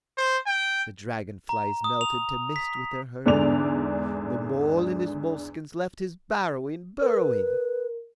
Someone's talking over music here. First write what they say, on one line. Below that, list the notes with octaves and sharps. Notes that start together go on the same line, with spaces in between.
The dragon-flies melted to mist with their hurrying. The mole in his moleskins left his barrowing burrowing.
C5
G5
A#5
D#6
F7
B6
E2 G#2 D3 D4 D5 F7
A#4 B4